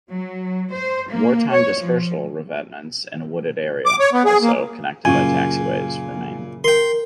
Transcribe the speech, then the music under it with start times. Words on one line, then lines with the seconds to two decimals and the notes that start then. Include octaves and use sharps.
Wartime dispersal revetments in a wooded area, also connected by taxiways, remain.
0.12 F#3
0.74 C5
1.13 A#3
1.52 C#5
1.82 F3
3.86 D6
3.99 C#5
4.13 B3
4.25 G#4
4.42 A#3
5.05 F#2 A#2 C#3 G#5 C#6
6.64 A#4 G5 C6